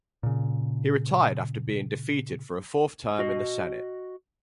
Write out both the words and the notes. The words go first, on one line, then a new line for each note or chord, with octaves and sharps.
He retired after being defeated for a fourth term in the Senate.
A#2 C#3
F#4 D#5